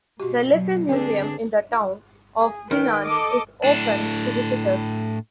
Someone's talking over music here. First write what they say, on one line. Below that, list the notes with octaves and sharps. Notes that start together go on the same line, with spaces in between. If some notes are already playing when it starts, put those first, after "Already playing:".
The Leffe museum in the town of Dinant is open to visitors.
B2 F#4 G4
F#3
D3 C4 D4 G#4 B4
G#4
D#3 B4 G5
A4 D#5 D6
A2 D4